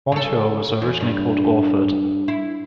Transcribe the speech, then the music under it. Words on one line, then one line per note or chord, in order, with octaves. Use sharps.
Montour was originally called Orford.
C#3 A4
E2
G2
E4